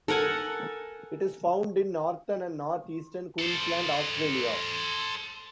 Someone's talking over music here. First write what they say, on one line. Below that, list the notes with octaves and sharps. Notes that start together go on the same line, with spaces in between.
It is found in northern and north-eastern Queensland, Australia.
A4 A#4 F#5 G#5
A4 C5